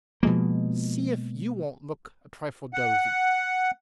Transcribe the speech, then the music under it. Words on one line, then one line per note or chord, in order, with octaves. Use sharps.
See if you won't look a trifle dozy.
B2 F3 G#3 A#3
F#5